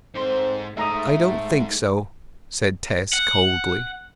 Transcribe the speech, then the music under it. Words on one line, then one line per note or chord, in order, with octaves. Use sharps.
"I don't think so," said Tess coldly.
G#2 C4 A4 C5 C6
G#3 A3 D#4 E5 A#5 D#6
F#5